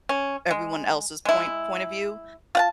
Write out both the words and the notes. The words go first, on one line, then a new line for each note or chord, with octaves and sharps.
everyone else's point point of view,
C#4
G#3
G#3 E4
F4 F#5 A5